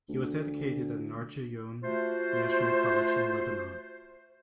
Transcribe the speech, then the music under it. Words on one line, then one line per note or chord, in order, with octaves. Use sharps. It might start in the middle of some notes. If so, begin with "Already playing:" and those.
He was educated at Narj' Oyoun National College in Lebanon.
D2
A3 F4 F#4 C5